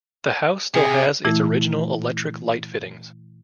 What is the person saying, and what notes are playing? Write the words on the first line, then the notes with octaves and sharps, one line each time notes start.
The house still has its original electric light fittings.
C3 G#4
A#2 E3 A3 E4